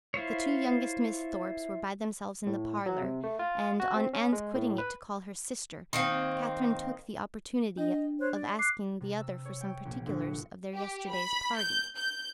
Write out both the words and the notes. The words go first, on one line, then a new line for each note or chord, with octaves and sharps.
The two youngest Miss Thorpes were by themselves in the parlour; and, on Anne's quitting it to call her sister, Catherine took the opportunity of asking the other for some particulars of their yesterday's party.
E4 F4 C5 C#5
A2
F#3
C3
A3
F4
F#4
C4
C#4
G#3
A2
B4
D#3 A#3 C4
D4 D#5
C5 C#5 F#6
D5
D6 F#6 C7
C3
E6
C#5
G5
A#1
G1
C#7
G4
B5
G6
G6